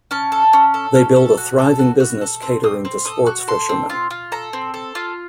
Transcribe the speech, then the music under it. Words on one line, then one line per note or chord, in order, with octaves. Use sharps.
They build a thriving business catering to sports fishermen.
C#4 A5
A4
C#4
A4
C#4
A4
F#4
A4
F#4
F#4
A4
C4
C4 D#6
C4
A4 D#6
F#4
A4 C6
C4
F4
F4
A4 A#5
C4
A4
F4